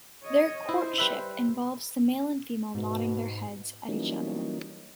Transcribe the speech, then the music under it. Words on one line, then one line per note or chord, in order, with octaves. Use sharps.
Their courtship involves the male and female nodding their heads at each other.
C#5 D#5
E4 C5
G3 B4 E5
G#2 B2
E3 F#3 G3 A#3 C#4 D#4